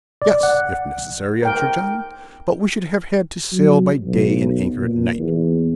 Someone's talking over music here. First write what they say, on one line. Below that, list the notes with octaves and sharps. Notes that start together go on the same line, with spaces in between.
"Yes, if necessary," answered John; "but we should have had to sail by day and anchor at night."
D5
F#5
A#4 G5
F#3
B1
A#2
E2